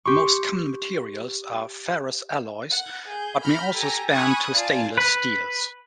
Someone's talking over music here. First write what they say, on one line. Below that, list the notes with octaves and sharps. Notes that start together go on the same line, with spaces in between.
The most common materials are ferrous alloys but may also span to stainless steels.
G4 C6 C#6
F#5
G#4 G6
A#5 B5 F6 G6
G4 A4 G#5 A#5
G#5 B5 C#6 D#6 F#6 G#6
F4 D5 G#5 A5
B4